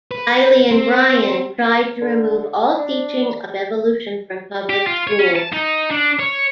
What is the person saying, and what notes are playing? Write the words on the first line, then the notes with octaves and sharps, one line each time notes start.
Riley and Bryan tried to remove all teaching of evolution from public schools.
B4
C4
D3
D4
G4
F4
C#5
C#4
A5
D#4
D4
C#5